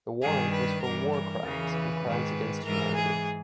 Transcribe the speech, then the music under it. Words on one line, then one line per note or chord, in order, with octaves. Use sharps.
The warrant was for war crimes and crimes against humanity.
G2 D#3 G#4
B4
G2 E3 A#4
A#4
E2 C#3 E3
B4
G#2 D#3
G#2 E3 A#4
G#4